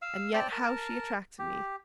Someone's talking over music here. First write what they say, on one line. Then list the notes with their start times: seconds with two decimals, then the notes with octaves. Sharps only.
And yet how she attracted me!
0.02 F5 E6
0.33 C4 D5 G5 A5
0.52 A#4 A5
1.39 G4